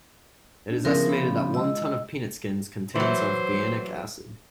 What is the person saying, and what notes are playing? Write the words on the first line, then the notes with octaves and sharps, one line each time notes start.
It is estimated that one ton of peanut skins contains of behenic acid.
D4 D#4
C#3 F3 B3 C#4 E4 G#4 A#4
B5
G#3 F4 D#5 E6
E3 F#3 C5